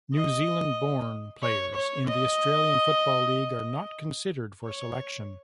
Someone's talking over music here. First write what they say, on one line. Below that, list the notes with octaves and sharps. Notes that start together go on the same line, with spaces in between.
New Zealand-born players in the Australian Football League are not considered for selection.
D#5
C#5
C#5
D#5
C#5